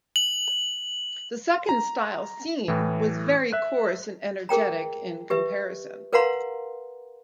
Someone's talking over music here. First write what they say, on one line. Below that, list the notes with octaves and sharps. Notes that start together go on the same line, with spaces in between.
The second style seen was very coarse and energetic in comparison.
F#7
A#5
A2 E3
E5 F#6
G#4 A#4 G5 A#5
G4 B4 E5
A#4 B4 F5 F#5 A#5 C6